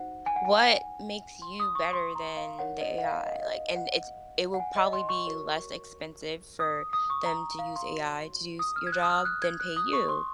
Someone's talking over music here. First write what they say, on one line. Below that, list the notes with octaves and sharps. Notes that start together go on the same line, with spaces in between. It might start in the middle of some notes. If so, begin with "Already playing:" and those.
what makes you better than the AI? Like, and it's it will probably be less expensive for them to use AI to do s your job than pay you.
Already playing: D#4 F#4 C5 F#5
G#5
F#5
G#5
C6
D#6
C#6
C6
A#5
F5
D#4 A#4 C#5 F#5
D#5
F#5
F5
D#5
D#5
F#5
F#5
G#5
D#5
C6
C#6
F#4 A#4 C#5
D#6
D#6
C#6
A#5
F5
C6
F#4 C#5
D#6
F6
G#6
F#6
D#6
F6
F#6
G#6
F#6
D#6
C#6
C6